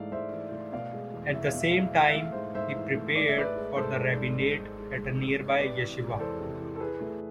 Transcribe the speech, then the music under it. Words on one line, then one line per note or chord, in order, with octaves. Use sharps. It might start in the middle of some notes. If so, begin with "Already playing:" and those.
At the same time, he prepared for the rabbinate at a nearby yeshiva.
Already playing: G#2 E3 A3 D5 F5
G#2 C5 E5
E3
A3
B2 D5 F5
G#3
E2
E2 E5
F5
B2 E5
G#3 F5
E5
E3 F5
E5
A3
F5
G#2 C5 E5
G#2 C5 E5
E3
A3
G#3 D5
E5
G#2 B4 D5
G#3
G#2 A4 C5
G#3
G#2
G#3
G#2
G#3
G#2
G#3
G#2
C3 B4 D5
E3
G#3
D5
E2 A4 C5
C3
E3
A4
E3 G#4 B4
A3